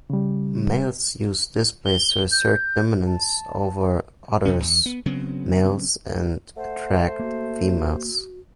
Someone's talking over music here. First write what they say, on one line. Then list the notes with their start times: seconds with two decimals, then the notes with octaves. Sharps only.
Males use displays to assert dominance over others males and attract females.
0.10 C#3 G3
1.86 G7
2.32 G6
3.06 A5
4.45 E2 C3 C#4
4.59 D1 E2
4.86 B3
5.06 C#3 F#3 B3 C4
6.57 A3 C5 F#5
7.20 A#3 F#4